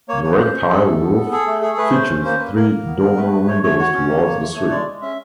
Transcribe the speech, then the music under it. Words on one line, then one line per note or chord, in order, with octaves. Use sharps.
The red tile roof features three dormer windows towards the street.
A#3 C#5
A#3 C#5
C#4 C5
C#4
G#4 A4
A3
B3
B3
G#4 A4
A3
G#4 A4
A3 B4
C#4 C5
C#4
A#3 C5
A#3 B4
A#3 A#4
A#3
B3
B3
A3 B4
A3
A3 C#5
A3 C#5
F#4 C#5
C#4
A#3
A#3
A3
A3
G#3 D5
G#3
C#4 E5